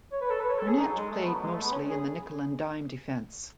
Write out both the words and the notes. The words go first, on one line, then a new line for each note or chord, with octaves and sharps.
Burnett played mostly in the nickel and dime defense.
C#5
B4
A4
B4
C#5
A4
G#4
D#4
F#3
G#3
A3
B3
F#3
G#3
A3
B3
C#4
G#4